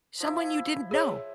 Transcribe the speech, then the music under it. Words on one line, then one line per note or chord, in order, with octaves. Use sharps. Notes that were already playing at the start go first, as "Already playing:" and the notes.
Someone you didn't know?
F3 E4
G#4 C#5